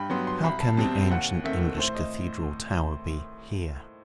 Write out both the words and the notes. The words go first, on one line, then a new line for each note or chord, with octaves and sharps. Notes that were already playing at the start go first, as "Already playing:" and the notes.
How can the ancient English Cathedral tower be here!
Already playing: G2 G5 B5
F#3 B3 C6
C6
C2 B5
A5
B2 G3 C4 A5
D#2 F#5
D#3 A3 C4 E5
A2 C5
D#5